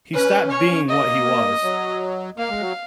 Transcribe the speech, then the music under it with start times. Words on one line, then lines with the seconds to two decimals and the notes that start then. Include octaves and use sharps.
He stopped being what he was.
0.14 C#4 B4
0.51 C#5
0.89 A#3 D#5
1.63 F#3
2.38 A#3 F5
2.50 G#3
2.61 F#3